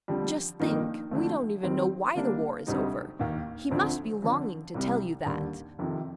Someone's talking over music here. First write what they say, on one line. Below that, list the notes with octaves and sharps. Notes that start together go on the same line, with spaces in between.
Just think--we don't even know why the war is over--he must be longing to tell you that.
F2 D3 G3
G1 F2 D#3 A#3 D#4
F2 D3 A3
F2 D#3 G3 C4
D3 G3 A#3 D4
D2 C3 G3 C4 D#4
D#2 D#3 A#3
D2 D3 F3 C4
F2 D3 F3
C2 C3 G3
D#2 D3 G3
F1 F2 C3 D#3